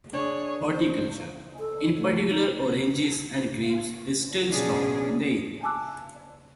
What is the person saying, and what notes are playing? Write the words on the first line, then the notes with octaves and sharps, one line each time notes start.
Horticulture, in particular oranges and grapes is still strong in the area.
D4 G#4 C#5
C5
A4
A3
D#4
B2 F3 C#4 D4 G#4
G#5 A5 D6 E6 F#6